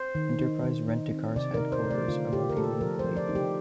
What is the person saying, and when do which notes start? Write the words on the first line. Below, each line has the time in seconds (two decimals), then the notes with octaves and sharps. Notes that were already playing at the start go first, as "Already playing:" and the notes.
Enterprise Rent-A-Car's headquarters are located in Clayton.
Already playing: C5
0.15 D#3
0.39 D#4
0.64 D#3
0.88 D#4
1.12 C4
1.36 C3 D5
1.54 A#4
1.59 D#4
1.72 C5
1.85 A3
1.91 D5
2.08 D3 F4
2.32 D3 G4
2.49 A#4
2.56 A3 A4
2.80 F3 A#4
2.99 C5
3.04 F3
3.17 D5
3.28 D#4
3.35 G4